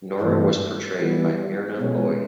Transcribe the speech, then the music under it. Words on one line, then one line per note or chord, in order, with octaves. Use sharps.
Nora was portrayed by Myrna Loy.
G2 E3 A3
E3 G3 B3
B2 G#3 C#4